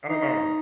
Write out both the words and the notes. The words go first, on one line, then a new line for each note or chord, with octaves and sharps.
I don't know.
D#4